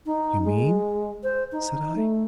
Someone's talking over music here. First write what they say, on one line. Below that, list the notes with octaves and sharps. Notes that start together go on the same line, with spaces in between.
"You mean?" said I.
D#4
G#3
C5
D#4
A3